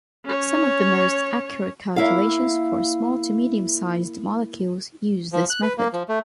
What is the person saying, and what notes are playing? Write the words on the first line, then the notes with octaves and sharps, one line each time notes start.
Some of the most accurate calculations for small to medium-sized molecules use this method.
C#4 C#5
A#3 E4 F5
F3
F#6
B4
A#3
F3
A3